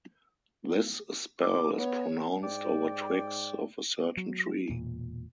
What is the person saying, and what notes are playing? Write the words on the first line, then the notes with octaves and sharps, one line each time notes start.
This spell is pronounced over twigs of a certain tree.
D6
B3 C#5
G#2 D5 G5
F#3
E1 A#2